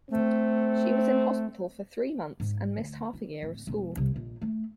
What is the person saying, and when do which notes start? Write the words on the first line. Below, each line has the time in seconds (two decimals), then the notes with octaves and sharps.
She was in hospital for three months and missed half a year of school.
0.10 A3 C4
2.40 G#2
2.77 D2
3.13 E4
3.43 D1
3.67 E1
3.97 C2
4.16 A#1
4.41 A3